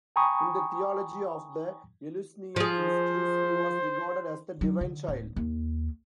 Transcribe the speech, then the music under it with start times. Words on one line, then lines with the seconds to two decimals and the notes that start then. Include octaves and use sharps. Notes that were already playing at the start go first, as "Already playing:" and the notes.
In the theology of the Eleusinian Mysteries he was regarded as the Divine Child.
0.16 G5 G#5 A#5 B5 C#6 D#6
2.56 F3 G#4 C5
4.61 F#3
4.81 D3
5.08 D1
5.36 D#2